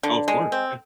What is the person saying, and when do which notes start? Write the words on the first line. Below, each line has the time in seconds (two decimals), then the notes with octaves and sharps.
Oh, of course, yeah.
0.03 D3
0.28 G#3
0.52 C4